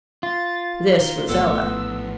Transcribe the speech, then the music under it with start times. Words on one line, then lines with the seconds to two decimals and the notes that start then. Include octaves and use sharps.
This was Ella.
0.23 F4 A6
1.00 D#3 G7
1.29 A#1 A2 B3 A4 F#5 E6